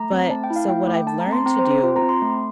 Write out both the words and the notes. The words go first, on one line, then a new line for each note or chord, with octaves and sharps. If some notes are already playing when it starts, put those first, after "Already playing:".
But, so what I've learned to do,
Already playing: A3 A#5
C4
A3 A5
G5
E4
F5
A3 G5
A3
G5
A3 A5
A#5
C4
C6
C4 A#5
C5
C4
C5
F4
A#5
C4
C6
A3